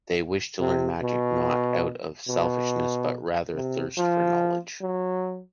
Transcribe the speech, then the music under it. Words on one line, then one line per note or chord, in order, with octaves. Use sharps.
They wish to learn magic, not out of selfishness but rather thirst for knowledge.
C3
B2
B2
C3
F3
F#3